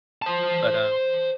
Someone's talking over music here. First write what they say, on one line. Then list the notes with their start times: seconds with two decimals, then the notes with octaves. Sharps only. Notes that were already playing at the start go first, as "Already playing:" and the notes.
But, um,
0.22 C5 A5